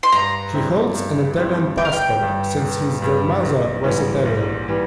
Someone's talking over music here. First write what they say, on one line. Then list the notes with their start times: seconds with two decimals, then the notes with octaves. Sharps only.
He holds an Italian passport, since his grandmother was Italian.
0.03 C6
0.12 G2 A#5
0.54 G3 C4 E4
0.95 G2
1.36 G3 C4 E4
1.78 G1 G5
1.85 F5
1.93 G5
2.19 G2 G3
2.60 G1
3.02 G2 G3
3.43 A#1
3.84 G#2 E3 G3
4.25 A#1
4.68 E3 G3